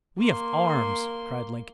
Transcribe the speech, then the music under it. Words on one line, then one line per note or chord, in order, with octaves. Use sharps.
"We have arms," cried Lincoln.
A#3 C6